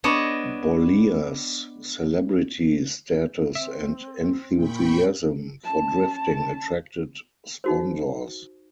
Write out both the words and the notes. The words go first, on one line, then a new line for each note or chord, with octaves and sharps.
Bollea's celebrity status and enthusiasm for drifting attracted sponsors.
B3 D4 C#5 D#5
C4 E5
A#2 G5 B5 C#6
C#4 A5
D#4 F#4 C5